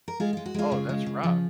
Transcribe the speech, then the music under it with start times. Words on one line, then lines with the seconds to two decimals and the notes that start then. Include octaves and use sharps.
Oh, that's rough.
0.08 A#4
0.20 G#3 F4 G#4
0.33 G#3 F4
0.46 F#4
0.54 G#3 F4 G#4
0.72 C#3
0.89 G#3
1.06 C#3
1.23 F3